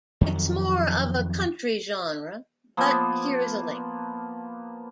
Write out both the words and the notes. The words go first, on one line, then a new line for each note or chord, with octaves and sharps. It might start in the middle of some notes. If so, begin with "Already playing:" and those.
Its more of country genre but here is a link.
F2 D#3 F#3
F3 A#3 B3